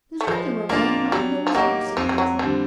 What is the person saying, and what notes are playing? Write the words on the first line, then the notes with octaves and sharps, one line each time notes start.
There's rather a run on Noah's Arks at present.
A3
F3 G#3
G#3 A#3 D4 F4
F#3 G3
F3
F#3 A#3 D#4 G4
F2 F3
G3
F#3
D3 F3 G3 C4